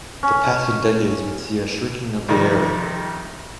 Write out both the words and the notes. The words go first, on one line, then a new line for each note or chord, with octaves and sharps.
The passing decades would see a shrinking of the area.
C#4
F2 C3 D#3 G3